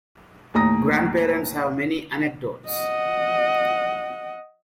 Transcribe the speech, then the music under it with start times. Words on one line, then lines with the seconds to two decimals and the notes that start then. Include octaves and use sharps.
Grandparents have many anecdotes.
0.54 D#2 A2 A#5 D#6 A#6
2.69 D#5 F#5